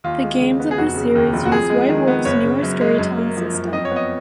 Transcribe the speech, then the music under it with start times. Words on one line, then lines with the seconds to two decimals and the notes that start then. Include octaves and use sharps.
The games of this series use White Wolf's newer Storytelling System.
0.04 D#2 F4
0.22 G#3
0.41 C#3
0.60 B3
0.71 G#4
0.78 F1 F#4
0.96 C#3
1.15 D#2
1.33 F1
1.45 F#4
1.52 F2 G#4
1.70 G#3
1.89 D#3
2.07 B3
2.25 F#1 C#5
2.44 C#3
2.63 F#2
2.81 G#3
2.99 F#2
3.18 A#3
3.36 F3
3.54 F#2
3.72 F2 D#5
3.85 C#5
3.91 B3
3.96 D#5